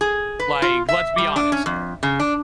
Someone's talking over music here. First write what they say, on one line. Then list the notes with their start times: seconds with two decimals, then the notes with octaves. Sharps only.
Like, let's be honest here.
0.01 G#4
0.39 B4
0.62 F4
0.89 E5
1.18 G3
1.36 D4
1.52 C#4
1.66 F2
2.03 C#3
2.20 D4